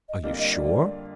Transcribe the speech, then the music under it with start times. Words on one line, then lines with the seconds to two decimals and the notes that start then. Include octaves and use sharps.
"Are you sure?"
0.08 D#5
0.23 F2 D3 G3 A#3 F4 D#5
0.38 D#5
0.54 D5